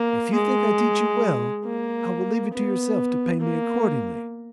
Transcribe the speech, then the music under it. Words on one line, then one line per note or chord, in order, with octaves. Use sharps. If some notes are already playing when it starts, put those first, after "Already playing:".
If you think I teach you well, I will leave it to yourself to pay me accordingly.
Already playing: A#3
G#3
A#3
B3
A#3